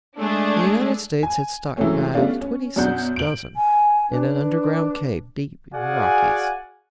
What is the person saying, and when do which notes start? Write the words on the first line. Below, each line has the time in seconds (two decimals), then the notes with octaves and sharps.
The United States had stockpiled twenty-six dozen in an underground cave deep in the Rockies.
0.20 G#3 A3 D4 G#4
1.23 G#5
1.77 E3 F#3 G#3 A3 C4 C#4
2.14 G3 A3 B3 C#4 D4 F4
2.41 C#4
2.76 F#2 B2 D4 F#4 F#5 G6
3.16 D7 F#7
3.56 G#5
4.11 D4 B4
5.74 F#4 G#4 D5 F5 F#5 G#5